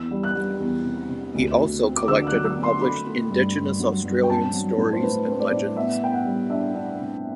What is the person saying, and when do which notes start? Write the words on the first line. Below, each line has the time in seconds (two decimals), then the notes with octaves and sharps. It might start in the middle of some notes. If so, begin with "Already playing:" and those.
He also collected and published Indigenous Australian stories and legends.
Already playing: E2 E6
0.11 G3
0.23 F#6
0.35 G3
0.60 E2
0.84 C3
1.09 C3
1.34 D2
1.58 D2
1.82 C4
1.97 D6
2.08 D3 E6
2.27 F#6
2.32 F#3
2.45 E6
2.57 C4
2.63 C6
2.81 A3 B5
3.07 A3
3.30 G2
3.55 G2
3.80 F#3
4.04 G2
4.23 G5
4.30 C4 A5
4.53 F#3
4.78 A2
4.93 C5
5.03 A2 B4
5.27 C4 C5
5.40 D5
5.52 A2
5.76 B3 E5
6.02 B3 G5
6.13 F#5
6.25 G3
6.50 D4 E5
6.74 D4
7.00 C3